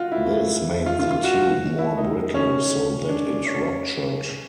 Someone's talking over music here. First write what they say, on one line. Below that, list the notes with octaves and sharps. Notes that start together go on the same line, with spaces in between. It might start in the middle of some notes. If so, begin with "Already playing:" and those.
This made the tube more brittle so that it ruptured.
Already playing: F4 F#4
E4
F4
F4
F4
F#4
E4
D#4
C#4
D4
D4
C#4